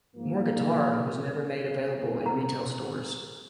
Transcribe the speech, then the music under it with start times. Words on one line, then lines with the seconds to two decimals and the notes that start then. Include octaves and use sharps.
"More Guitar" was never made available in retail stores.
0.16 G#2 F3 A#3
2.26 A#5